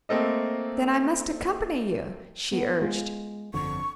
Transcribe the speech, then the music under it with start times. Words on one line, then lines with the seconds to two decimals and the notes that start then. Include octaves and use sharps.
"Then I must accompany you," she urged.
0.09 A3 A#3 C4 A4 D#5
2.52 B3 A4
2.82 G#3 F4
3.54 G1 F2 D3 C#6